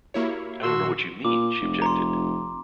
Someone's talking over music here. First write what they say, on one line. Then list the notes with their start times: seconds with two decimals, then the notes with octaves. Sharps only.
"I don't know what you mean" she objected.
0.14 A#3 E4 F#4 G4 A#4 C#5
0.63 A#2 D#3 F#4 A5 C6 E6
1.25 A#2 D6
1.61 F1
1.82 A#5 C6